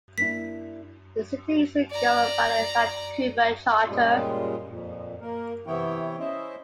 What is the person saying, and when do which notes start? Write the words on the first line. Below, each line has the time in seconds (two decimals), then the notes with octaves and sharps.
The city is governed by the Vancouver Charter.
0.18 A#3 D4 E4 B6
1.91 D5 A#5
3.87 A#2 C#3 G3 G#3 F4
4.68 F2 A#2
5.21 A#3 A#4
5.67 C3 E3 B3 E4 C#5 G5
6.19 C#4 E4 C5 D#5 E5